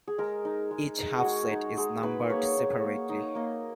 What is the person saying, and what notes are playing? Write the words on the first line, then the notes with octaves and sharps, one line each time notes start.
Each half-set is numbered separately.
G#4
G#3 A#4
D#4
G#3
D#4
F#4
G#3 G#4
D#4
G#3 G#4
D#4 B4
A#3 C#5
D#4
A#3
D#4
A#3 D#5